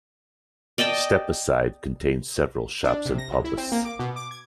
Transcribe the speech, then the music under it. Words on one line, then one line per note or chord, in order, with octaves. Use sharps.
Stepaside contains several shops and pubs.
D5 D#5 G5 A5
D4
C3
A#6
C#2
E4
C4
A#3
D6
B2
D6
G#6